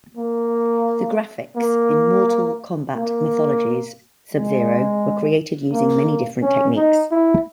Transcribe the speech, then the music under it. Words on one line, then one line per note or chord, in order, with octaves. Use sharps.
The graphics in "Mortal Kombat Mythologies: Sub-Zero" were created using many different techniques.
A#3
A#3
A#3
G#3
A#3
C#4
D#4
E4